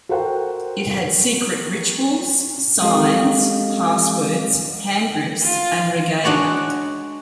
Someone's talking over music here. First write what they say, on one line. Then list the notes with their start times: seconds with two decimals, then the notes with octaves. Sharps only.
It had secret rituals, signs, passwords, hand grips and regalia.
0.09 F#4 A4 A#4 C5 F#5 G5
2.82 G#3 C4 G4 A4 D#5 F5
5.41 F4
6.24 G#3 D4 F#4 C#5 D5